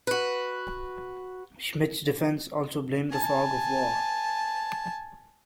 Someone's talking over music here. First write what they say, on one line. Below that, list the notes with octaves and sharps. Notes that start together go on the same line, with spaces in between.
Schmidt's defense also blamed the fog of war.
F#4 B4
G#5 A5